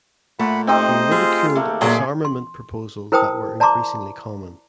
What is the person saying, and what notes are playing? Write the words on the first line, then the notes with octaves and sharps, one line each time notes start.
He ridiculed disarmament proposals that were increasingly common.
A#2 A3 F#5 B5
C4 D#4 G4 C5 D#5
F4 G#4
A3 A#3
A#2 F#3 A#3 G#4 D5 E5 C6
C6
E4 A#4 C5 G5 A5 D#6
D5 A5 A#5 C6 D6